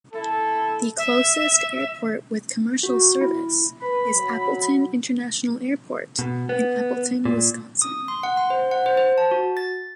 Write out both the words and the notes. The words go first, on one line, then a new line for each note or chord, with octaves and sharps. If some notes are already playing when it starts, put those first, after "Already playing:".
The closest airport with commercial service is Appleton International Airport in Appleton, Wisconsin.
E4 A4
E5
F#4
E4
B4 B5
F#3
B2
B3
A#2
D#6
C6
F#5
C6
C5
F#5
C5
C5
A5
F#4
A6